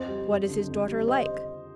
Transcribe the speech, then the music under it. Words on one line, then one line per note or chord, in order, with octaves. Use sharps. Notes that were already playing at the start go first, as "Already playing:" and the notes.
"What is his daughter like?"
Already playing: F2 C5 D#5
G3
F2
D3
F2
G3
C5 D#5